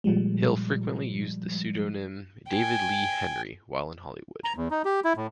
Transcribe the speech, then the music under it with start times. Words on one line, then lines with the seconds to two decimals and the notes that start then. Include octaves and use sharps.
Hill frequently used the pseudonym David Lee Henry while in Hollywood.
0.04 A#2 F3 G3 G#3
2.49 G5 G#5
4.44 A#5
4.56 E2
4.71 D#4
4.85 G4
5.04 E4
5.17 A2